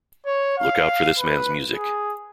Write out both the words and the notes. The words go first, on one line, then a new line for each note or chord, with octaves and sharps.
Look out for this man's music'.
C#5
F5
B4
G#4